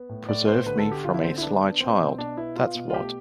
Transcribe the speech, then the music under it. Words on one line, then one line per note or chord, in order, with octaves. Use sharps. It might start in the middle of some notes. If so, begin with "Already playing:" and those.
Preserve me from a sly child, that’s what.
Already playing: B3
A2
A2 D5
B3 C5
D3 B4
A4
D3
G4
D3 F4
E4
D3 C4
E4
B3 D4
B3
B3 C4
B2
B2 D4
B3 E4
B3 F4
B2
F4
A3 G4